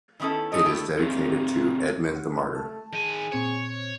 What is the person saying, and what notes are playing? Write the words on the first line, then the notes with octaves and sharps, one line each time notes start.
It is dedicated to Edmund the Martyr.
D#3 B3 C#4 E4 A4
C4 C#4 D#4 A4 C#5 D#5
A3 B3 D4 E4 G4 A4
C4 G#4 A4
F#5
A3 A5
D#3 G#4 G#5
A#2 C4 C5 C#5